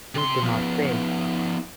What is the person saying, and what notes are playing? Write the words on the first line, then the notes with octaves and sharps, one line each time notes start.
They do not pay.
C3 C6
F3 B3